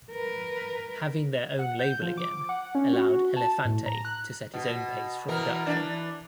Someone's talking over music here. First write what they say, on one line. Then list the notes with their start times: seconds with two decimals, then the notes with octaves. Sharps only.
Having their own label again allowed Elefante to set his own pace for production.
0.11 A#4 B4
1.59 F#5
1.79 G6
2.02 F3
2.17 D6
2.49 F#5
2.75 C#4
2.93 F#4
3.36 A5
3.65 A2
3.86 A#5
4.05 F#6
4.54 B2
5.28 B2 E3 A#4
5.67 E3 D4